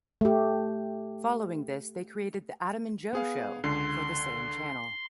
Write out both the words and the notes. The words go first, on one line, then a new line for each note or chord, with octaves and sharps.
Following this they created "The Adam and Joe Show" for the same channel.
A3 G4
B3 G#4 F5
C#2 D3 C6 C7